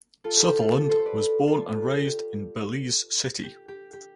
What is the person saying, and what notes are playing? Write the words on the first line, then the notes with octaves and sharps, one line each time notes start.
Sutherland was born and raised in Belize City.
F4 A4
G4
G4
F4 A4
F4 A4
A4 C5
C5
B4 D5
F4 A4
F4
G4
G4
G4
G4
G4